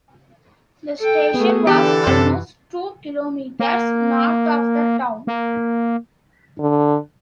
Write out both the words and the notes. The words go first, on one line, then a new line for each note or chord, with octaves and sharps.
The station was almost two kilometres north of the town.
A4 G5
A3 B3 G#4 B4
D3 E3 D4 G4 A4
F#2 C3
A#3
A#3
D3